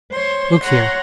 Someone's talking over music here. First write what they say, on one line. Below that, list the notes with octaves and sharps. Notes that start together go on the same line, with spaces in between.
Look here!'
C5 C#5 C6
C#5 F#5 A#5 C6 A#6